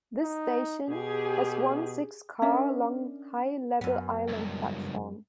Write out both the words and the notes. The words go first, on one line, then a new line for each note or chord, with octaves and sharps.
This station has one six-car-long high-level island platform.
D#4
B2 G4 G#4
C#4 D4 A#4 E5
F#2 B3
C#2 G2